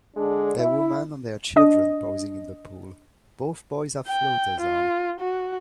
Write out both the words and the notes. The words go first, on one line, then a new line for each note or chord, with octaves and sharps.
A woman and her children posing in the pool, both boys have floaters on.
D3 G#3 D4
E4
D4 D#5
G5
F4
F#4